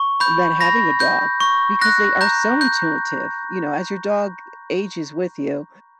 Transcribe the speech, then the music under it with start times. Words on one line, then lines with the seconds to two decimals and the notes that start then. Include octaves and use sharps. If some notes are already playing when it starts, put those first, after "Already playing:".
than having a dog, because they are so intuitive, you know, as your dog ages with you,
Already playing: C#6
0.20 B5 G6
0.61 B5 A#6
1.00 G6
1.40 C#6
1.82 F#6 A#6
2.21 A#5 G6
2.61 G6